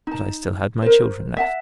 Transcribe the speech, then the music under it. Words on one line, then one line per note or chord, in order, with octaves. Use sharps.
But I still had my children left.
D#4 A5
A#4 C5
E5 F#5 A5